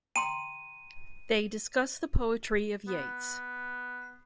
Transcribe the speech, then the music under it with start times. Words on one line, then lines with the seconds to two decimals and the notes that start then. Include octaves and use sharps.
They discuss the poetry of Yeats.
0.16 G5 A#5 C6 D#7
2.88 B3